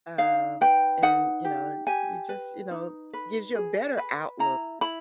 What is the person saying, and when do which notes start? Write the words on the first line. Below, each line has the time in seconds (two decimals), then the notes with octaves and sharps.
um, and, you know, you just you know, gives you a better outlook
0.18 D#4 F5
0.61 B4 G5
1.02 D#4 F#5
1.45 G4
1.87 G4 G#5
2.29 B4
2.71 D#4
3.13 B4
3.55 G#4
3.97 B4
4.39 E4 A#5
4.81 E4 B5